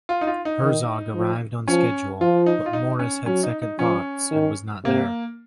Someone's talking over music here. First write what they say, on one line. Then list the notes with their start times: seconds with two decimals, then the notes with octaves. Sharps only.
Herzog arrived on schedule, but Morris had second thoughts and was not there.
0.09 F4
0.21 D#4
0.27 F4
0.45 D#4
0.62 D#3
1.15 F3
1.68 F3 C#4
2.21 F3 F4
2.46 D#4
2.66 F4
2.73 D#4
2.99 C#4
3.26 F#3 C#4
3.43 D#4
3.62 D#4
3.79 F3 C#4
4.31 D#3
4.84 C3 A#3